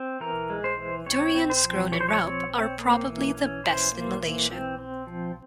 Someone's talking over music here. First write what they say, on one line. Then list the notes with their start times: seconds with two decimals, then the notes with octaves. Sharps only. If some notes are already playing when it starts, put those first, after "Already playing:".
Durians grown in Raub are probably the best in Malaysia.
Already playing: C4
0.20 E3 A#4
0.50 G#3
0.64 C5
0.77 E3
1.06 C4 C#5
1.35 C4
1.50 C5
1.64 F3
1.92 F3 C#5
2.00 C5
2.09 C#5
2.21 C4
2.49 C4
2.78 A#3
3.07 E3
3.35 C#4
3.64 E3 C5
3.92 A#3
4.20 E3
4.50 C4
4.78 C4
5.07 F3